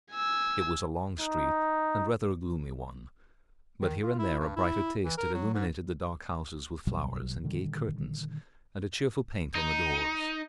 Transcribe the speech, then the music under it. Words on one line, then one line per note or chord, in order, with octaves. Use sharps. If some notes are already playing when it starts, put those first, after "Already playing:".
It was a long street, and rather a gloomy one, but here and there a brighter taste had illuminated the dark houses with flowers, and gay curtains, and a cheerful paint on the doors.
G#5 E6
D#4
D#3
F4
E4
G2
E4
E3
A#4
F#3
G#2
A#1 B2 F#3 G3
A#2 D3 D#3 G3
D#4